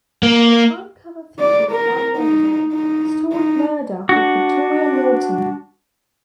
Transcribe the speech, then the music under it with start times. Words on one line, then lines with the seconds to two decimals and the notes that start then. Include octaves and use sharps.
The front cover features band member Stuart Murdoch with Victoria Morton.
0.23 A#3
1.40 D5
1.72 A#4
2.17 D#4
2.73 D#4
3.33 D#4
4.09 D4 F#4